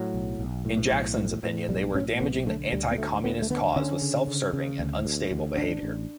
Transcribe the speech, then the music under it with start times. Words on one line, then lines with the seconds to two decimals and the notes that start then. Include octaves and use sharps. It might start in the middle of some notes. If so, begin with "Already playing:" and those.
In Jackson's opinion they were damaging the anti-Communist cause with self-serving and unstable behavior.
Already playing: A2 F#3
0.14 B1
0.39 B1
0.65 A2
0.91 B1
1.17 A2
1.43 A2
1.69 B1 G3
1.95 A2 C#4
2.21 B1 B3
2.46 D3 A3
2.72 D2 G3
2.91 B3
2.98 D2 A3
3.24 D2 B3
3.42 A3
3.50 D3 B3
3.76 D3 C#4
4.02 C#3
4.27 C#3
4.53 C#3
4.79 D2
5.06 D2
5.31 D2
5.57 A1 D4
5.83 A1